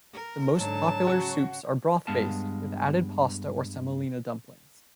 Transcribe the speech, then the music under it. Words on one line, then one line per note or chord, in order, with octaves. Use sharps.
The most popular soups are broth based, with added pasta or semolina dumplings.
A#4
G#2 D3 F#3 A5
C#3 F#4
G2 G#3 B3 F5 A5